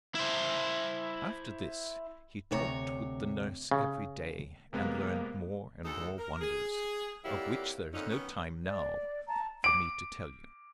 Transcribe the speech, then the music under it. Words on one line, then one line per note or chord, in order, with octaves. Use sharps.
After this he talked with the nurse every day, and learned more and more wonders, of which there is no time now for me to tell you.
E4 C5
D2 C3 C#5 A#5
C#3
C3 G#3 A#3 B3
D2 D#4 G#4 A4
A#4
G#4
F2 F#3 A#3 E4 G4 D5
F2 D3 A#3 C#4 D#4
D#3 F#3 B3 C#4
D5
A5 A#5
D6 D7